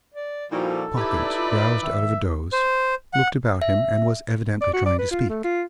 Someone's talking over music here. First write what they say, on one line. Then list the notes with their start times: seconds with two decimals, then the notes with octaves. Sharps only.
Hawkins roused out of a doze, looked about him and was evidently trying to speak.
0.14 D5
0.51 A#2 F3 G3 D#4 E4 F#4 A4
0.96 D#4 E4 G4 B4 D5 D6 G#6
1.38 F4
1.83 D#3 E5
2.53 C5
3.14 F#5
3.62 E5
4.61 D5
4.73 F#4
4.86 D5
4.99 B4
5.11 F4
5.29 A3
5.44 F4